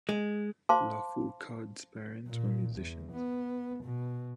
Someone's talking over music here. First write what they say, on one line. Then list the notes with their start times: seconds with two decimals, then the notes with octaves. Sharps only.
Lafourcade's parents were musicians.
0.09 G#3
0.69 C5 F5 A5 C6 D6
2.27 A#2
2.75 E2
3.12 B3
3.84 B2